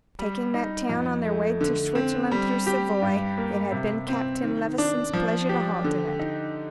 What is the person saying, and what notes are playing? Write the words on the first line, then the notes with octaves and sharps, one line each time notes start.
Taking that town on their way to Switzerland through Savoy, it had been Captain Levison's pleasure to halt in it.
G3
D#4
F2
A3
D3
C4
G3
G4
G2
A#3
C3
C4
D#3
D4
F3
G4
D3
D#4